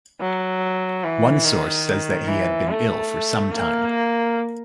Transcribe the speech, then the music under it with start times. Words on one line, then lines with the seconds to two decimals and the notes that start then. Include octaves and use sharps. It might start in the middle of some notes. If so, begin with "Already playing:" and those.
One source says that he had been ill for some time.
0.21 F#3
1.04 E3
1.45 D#3
2.28 E3
2.69 A3
3.52 A#3